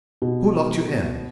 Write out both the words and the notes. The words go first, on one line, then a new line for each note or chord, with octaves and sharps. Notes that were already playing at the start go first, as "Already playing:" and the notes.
"Who locked you in?"
B2